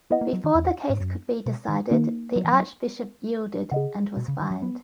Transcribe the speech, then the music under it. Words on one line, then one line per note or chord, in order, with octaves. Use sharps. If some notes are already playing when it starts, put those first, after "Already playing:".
Before the case could be decided, the archbishop yielded and was fined.
B3 E4 B4 D#5 F#5
A#3
F#3
D#3
E2
G#2
F#2
B2
D#3
D#3 A#3 D#4 A#4
F#3
E3
F#3
C#3 G#4 D#5 F#5
B2
C#3
D#3
F#3
B3